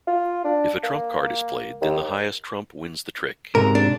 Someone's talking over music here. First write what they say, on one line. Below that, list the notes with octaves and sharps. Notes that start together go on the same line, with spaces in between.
If a trump card is played then the highest trump wins the trick.
F4
D4
A#3
D#2
G#2 C3 A#4
D4